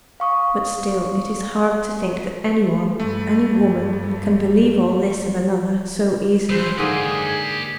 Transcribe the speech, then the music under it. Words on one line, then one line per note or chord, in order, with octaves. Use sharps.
But still, it is hard to think that any one--any woman--can believe all this of another so easily.
F5 C#6 D#6
G2 A3
C2 E3 C5
G#2 D3 A#3 G4 G#4 D#5